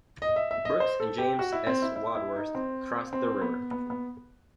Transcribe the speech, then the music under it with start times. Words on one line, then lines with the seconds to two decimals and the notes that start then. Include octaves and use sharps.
Brooks and James S. Wadsworth crossed the river.
0.22 D#5
0.36 E5
0.51 E5
0.65 D#5
0.80 C5
1.00 A4
1.18 G4
1.39 F#4
1.52 E4
1.67 C4
1.82 E4
1.96 E4
2.15 E4
2.36 D#4
2.55 C4
3.13 C4
3.41 B3
3.71 B3
3.90 B3